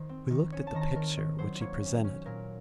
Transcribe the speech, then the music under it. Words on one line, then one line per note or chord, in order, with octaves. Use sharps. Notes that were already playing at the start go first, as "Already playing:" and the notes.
We looked at the picture which he presented.
Already playing: D#3 C5
C4
D#3
C#4 C#5
A5
D#3 A#5
A5
D#3 A#4
D#3
F#3 C5
A#3 C#5
C#4
C#4
A#2 A#4